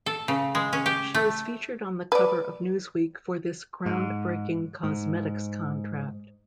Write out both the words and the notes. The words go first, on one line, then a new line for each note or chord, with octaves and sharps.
She was featured on the cover of Newsweek for this ground-breaking cosmetics contract.
A4
C#3
G#3
C#4
G4
A3
B4 D5
G#2
G#2